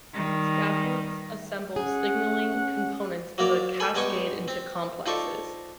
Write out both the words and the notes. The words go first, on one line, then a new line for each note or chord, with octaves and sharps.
Scaffolds assemble signaling components of a cascade into complexes.
D#3 G3
C#4 G#4 F#5
F#3 A#3 A#4 D5
G#4 A4 G#5 B5
G2 G#3 B3 G5 G#5 C#6
C4
D#4 F4 A4 C5 D5 C#6